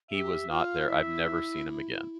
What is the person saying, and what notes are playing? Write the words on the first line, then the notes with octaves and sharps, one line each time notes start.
He was not there. I've never seen him again.
G4 E5
F4 F5
E4 E5